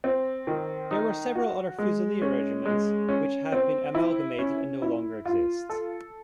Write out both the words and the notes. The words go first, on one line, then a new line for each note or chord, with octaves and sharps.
There were several other fusilier regiments which have been amalgamated and no longer exist.
C4
D#3
D#4
F#4
G#3
C#4
G#3
C#4
C4
E4
C#4
E4
F4
A4